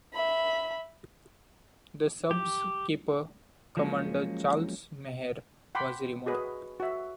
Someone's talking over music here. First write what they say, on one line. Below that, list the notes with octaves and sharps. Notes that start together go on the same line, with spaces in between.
The sub's skipper, Commander Charles Maher was removed.
E5 B5
G4
F3 F#3 G#3 A#3 C#4
F#5 G5 B5 C6 D6
F#4 G#4 B4 D#5
F#4 E5